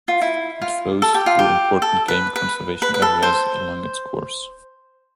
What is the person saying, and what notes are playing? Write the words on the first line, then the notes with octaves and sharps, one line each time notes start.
It flows through important game conservation areas along its course.
F4
E4
F4
A4
G4
F4
G4
A4
B4
B4
B4
B4
A4
C5